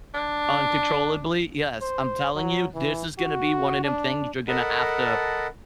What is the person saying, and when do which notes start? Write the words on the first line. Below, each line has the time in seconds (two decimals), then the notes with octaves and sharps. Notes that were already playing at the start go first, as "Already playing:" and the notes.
uncontrollably yes, I'm telling you, this is gonna be one of 'em things you're gonna have to
0.14 D4
1.82 C5
2.35 F#3
2.74 E3
3.18 F#4
3.84 D4
4.48 A4 A#4 D#5 F#5 A5 B5